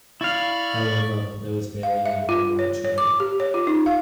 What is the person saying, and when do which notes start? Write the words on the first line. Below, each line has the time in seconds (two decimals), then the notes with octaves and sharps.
However, there was barely any worldwide trade.
0.21 E4 D5 F5 B5 C#6
1.83 F5
2.06 E5
2.29 F4
2.59 C#5
2.85 C#5
2.98 D6
3.20 G4
3.40 C#5
3.54 F4
3.67 D#4
3.86 F5